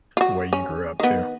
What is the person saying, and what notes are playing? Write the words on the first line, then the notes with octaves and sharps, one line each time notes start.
the way you grew up too,
F4 F#4
C#4
D#3 B3